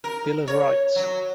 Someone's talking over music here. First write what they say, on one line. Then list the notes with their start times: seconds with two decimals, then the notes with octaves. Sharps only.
Bill of Rights.
0.04 A#4
0.48 C#5
0.96 F#3